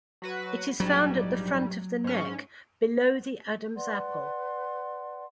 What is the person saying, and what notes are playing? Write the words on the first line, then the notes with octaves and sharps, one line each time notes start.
It is found at the front of the neck, below the Adam's apple.
F#3 F#4 B4
A#1 G#2 F#3 G3
G#2 C#4
B4 D5 F#5 C6